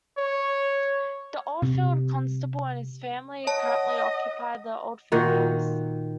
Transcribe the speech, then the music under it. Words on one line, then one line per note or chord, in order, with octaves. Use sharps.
The Old Field Constable and his family currently occupy the Old Field house.
C#5
C3
C#5 D#5 F#5 A5
A#2 D#3 F#4